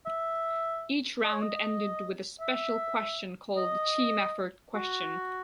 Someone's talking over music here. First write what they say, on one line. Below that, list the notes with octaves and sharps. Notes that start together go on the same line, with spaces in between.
Each round ended with a special question called the "Team Effort Question".
E5
D#5
C#5
D#5
E5
D#5
F#4